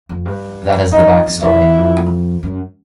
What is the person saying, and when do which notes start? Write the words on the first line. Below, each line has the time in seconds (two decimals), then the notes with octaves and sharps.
That is the backstory.
0.09 F2
0.25 G2
0.92 F#2 D#4
1.09 F2
1.26 F2
1.37 E2
1.42 F2 E4
1.59 E2
1.76 F2
2.43 F#2